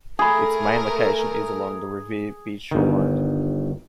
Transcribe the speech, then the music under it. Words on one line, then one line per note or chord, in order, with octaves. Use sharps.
Its main location is along the Revere Beach shoreline.
A3 G#4 A#4 G#5 B5
G1 D#3